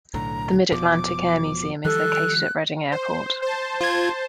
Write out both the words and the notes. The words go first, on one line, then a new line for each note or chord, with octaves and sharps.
The Mid-Atlantic Air Museum is located at Reading Airport.
B1 A2 D3 A#5
F1 B2 F3 D6
D#3 F3 G3 A4 F#6
C5
C5 A5
F4 G#6